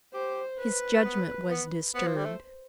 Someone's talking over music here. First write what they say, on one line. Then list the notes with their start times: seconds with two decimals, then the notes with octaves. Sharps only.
His judgment was disturbed.
0.14 G4 C5
0.59 B4
1.05 B3
1.49 B3
1.95 B3 C5
2.07 F3
2.16 G3
2.25 A3